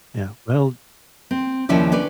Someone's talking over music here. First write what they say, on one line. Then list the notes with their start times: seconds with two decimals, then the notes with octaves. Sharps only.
Yeah, well
1.31 C4
1.69 D#2 C3 F3 C#4 E4 D5
1.92 C#4 D4 B4 D5